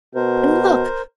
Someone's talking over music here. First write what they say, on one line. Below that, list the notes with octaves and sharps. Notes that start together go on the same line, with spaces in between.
And look!
B2 A#4 C5